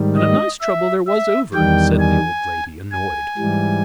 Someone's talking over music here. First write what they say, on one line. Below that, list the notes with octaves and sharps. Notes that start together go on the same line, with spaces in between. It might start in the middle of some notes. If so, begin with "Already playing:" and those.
"And a nice trouble there was over it," said the old lady, annoyed.
Already playing: G#2 D#3 G3
D#5
E5
E5
E2 D#3 G3 G5
G#5
G#5
G#2 E3 G3